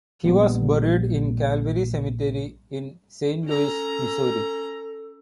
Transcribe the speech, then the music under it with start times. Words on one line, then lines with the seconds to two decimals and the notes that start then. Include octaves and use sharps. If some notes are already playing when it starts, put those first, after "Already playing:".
He was buried in Calvary Cemetery in Saint Louis, Missouri.
0.25 A#1 G3 B3
3.45 C#4 A4 A#5